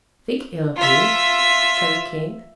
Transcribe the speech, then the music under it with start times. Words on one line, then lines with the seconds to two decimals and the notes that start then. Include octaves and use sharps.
"Think ill of you?" said the king.
0.77 F4 E5